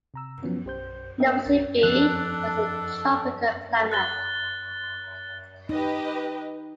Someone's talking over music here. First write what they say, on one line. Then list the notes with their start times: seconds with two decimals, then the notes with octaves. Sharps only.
Nosy Be has a tropical climate.
0.14 C3 A#5 E6
0.42 F3 F#3 B3 C#4 E4
0.65 B1 G4 C5 G6
1.20 A#3 B3 A#4 D#5 E5 G5
1.45 B1 C#4 A#4 A6
1.83 F2 D4 A4 F#6
3.92 F#6 A6 G7
5.69 D#4 G4 B4 D#5